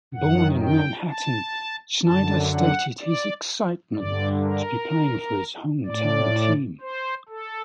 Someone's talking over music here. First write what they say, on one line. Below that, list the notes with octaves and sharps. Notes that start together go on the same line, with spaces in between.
Born in Manhattan, Schneider stated his excitement to be playing for his hometown team.
F#2 D#3 F#5
G5
A5
F#2 D3 A5
F#5
D5
G2 D3 D5
A#4
A2 D5
C5
A4